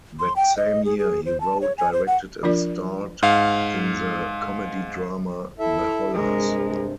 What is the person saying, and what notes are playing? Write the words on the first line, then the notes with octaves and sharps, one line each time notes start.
That same year, he wrote, directed and starred in the comedy-drama "The Hollars".
C6
G5
D#5
G#4
G#4
C5
A5
C#5
G#5
C5
F#5
F3 D4 F4 A#4 D5
G#2 F5
E4 A4 E5
G2 C3 G#3 A#4